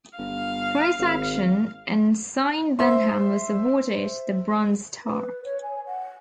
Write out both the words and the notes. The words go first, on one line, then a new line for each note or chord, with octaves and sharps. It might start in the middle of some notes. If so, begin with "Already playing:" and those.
For his action, Ensign Benham was awarded the Bronze Star.
G1 F5
G#1
C5 E5 C6
B4
C#5
G#5
F#5